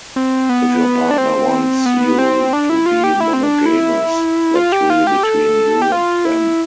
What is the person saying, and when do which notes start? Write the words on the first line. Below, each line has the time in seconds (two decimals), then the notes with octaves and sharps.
If your partner wants you to be monogamous, that’s really between you and them.
0.16 C4
0.49 B3
1.11 D4
1.18 C4
1.86 B3
2.19 C4
2.53 D4
2.70 E4
2.86 F4
3.04 G4
3.20 E4
3.33 C4
3.43 D4
3.66 E4
4.55 F4
4.72 G4
4.90 F4
5.07 G4
5.23 A4
5.82 G4
5.92 F4
6.25 E4